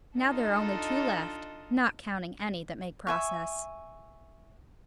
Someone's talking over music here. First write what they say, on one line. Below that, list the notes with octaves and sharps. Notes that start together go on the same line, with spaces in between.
Now there are only two left--not counting any that make process.
D4 D#4 F4 A4 D#5
E5 G#5 C#6